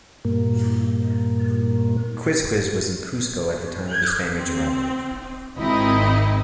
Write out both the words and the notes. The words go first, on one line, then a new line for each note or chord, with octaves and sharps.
Quizquiz was in Cusco at the time of the Spaniards' arrival.
G2 A#2 A#3
C4
G#1 C4 D#4 E4 D#5